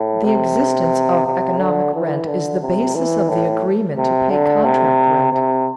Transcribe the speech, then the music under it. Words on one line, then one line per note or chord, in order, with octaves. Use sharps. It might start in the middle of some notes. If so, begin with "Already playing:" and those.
The existence of economic rent is the basis of the agreement to pay contract rent.
Already playing: A2
C3
C3
D3
E3
D3
C3
E3
A2
C3
D3
C3
C3